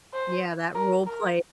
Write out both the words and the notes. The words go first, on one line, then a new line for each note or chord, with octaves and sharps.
yeah, that roleplay.
C5
A#4
A#4